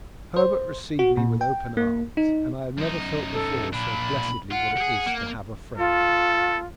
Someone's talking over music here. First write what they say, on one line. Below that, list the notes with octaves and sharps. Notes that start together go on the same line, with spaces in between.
Herbert received me with open arms, and I had never felt before so blessedly what it is to have a friend.
C5
F#4
A#2
G5
A#3
D#4
F#2 D#4
A4
A#2 D4 B5
F4 F#5
G4 G#4
A#3
F4 A4